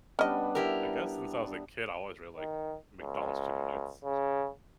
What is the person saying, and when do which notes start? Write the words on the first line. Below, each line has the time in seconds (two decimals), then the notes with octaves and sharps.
I guess since I was a kid, I always really liked McDonald's chicken nuggets
0.19 G3 B3 C#4 D4 D#5
0.55 E4 G4 A#4
2.36 D#3
3.01 C#2
4.05 C#3